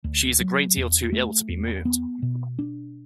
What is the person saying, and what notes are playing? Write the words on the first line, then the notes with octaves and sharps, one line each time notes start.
She is a great deal too ill to be moved.
D2
F#3
E2
A3
E2
B3
B2
D4